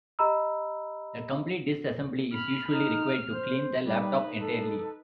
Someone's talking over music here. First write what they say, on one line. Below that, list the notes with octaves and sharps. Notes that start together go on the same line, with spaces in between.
A complete disassembly is usually required to clean the laptop entirely.
G4 D#5 A#5 B5 E6
B5 F6
D#4 F6
C5
G3 D#4 B4
A4